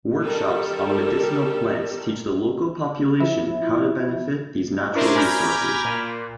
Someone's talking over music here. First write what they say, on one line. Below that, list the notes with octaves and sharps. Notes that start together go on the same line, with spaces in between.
Workshops on medicinal plants teach the local population how to benefit these natural resources.
D#3 G3 A4 A#4
F3 E4
C#4 D4 E4 A#4 C5 D5
G#5 A#5 B5 D6 F6 G6
A#2